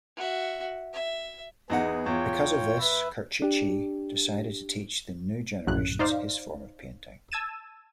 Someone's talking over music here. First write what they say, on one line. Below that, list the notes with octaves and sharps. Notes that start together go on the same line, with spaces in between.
Because of this, Curruchiche decided to teach the new generations his form of painting.
F#4 E5
E5
E2 B3 D#4 G#4 F#5
E2 F4 C#5 G5
B4 E5
D4 G4
A#1 F#2 A2 C#3 F#6
D#4 C5 D5 F5
A5 E6 G#6 A6 D#7 E7